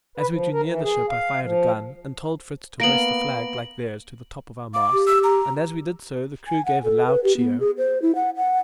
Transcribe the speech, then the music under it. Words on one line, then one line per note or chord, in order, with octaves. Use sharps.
As we drew near the ship I fired a gun, and told Fritz to hoist a flag like theirs to the top of our mast, and as we did so the crew gave a loud cheer.
B4
F3
A#4
E3
G#4
F5
F3
A#3 B3 A#6 D7 F#7
F5 D6
G4
E6
A#5
G#5
F#5
A4
B4
G4
B3
G#4
C5
E4
F#5
F#5